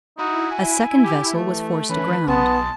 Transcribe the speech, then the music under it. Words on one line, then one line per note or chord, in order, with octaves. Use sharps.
A second vessel was forced aground.
D#4 E4 F#4
G#5
G4
E3 A3
E3 C#4 B4
B1 G#3 B3 A5